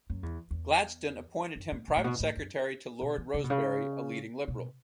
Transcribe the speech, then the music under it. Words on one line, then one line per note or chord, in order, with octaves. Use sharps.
Gladston appointed him private secretary to Lord Rosebery, a leading Liberal.
F#2
E2
E2
F#2
A2
B2
A2
B2
A2
F#2
B2
E3
C#3
B2
C#3
B2